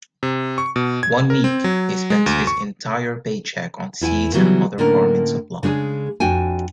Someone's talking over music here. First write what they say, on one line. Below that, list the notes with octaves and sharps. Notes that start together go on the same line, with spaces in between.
One week he spends his entire paycheck on seeds and other farming supplies.
C3
C#6
B2
G#6
A#4
C4
F#3
G#3
D2
C#6
E2 E4 G5 G#5
C#3 E3 F#3 G3 B3
A2 D3 A#3 C#4 A#4
C#3 G#3 D4 G#4
F2 D4 F#4 G5 G#5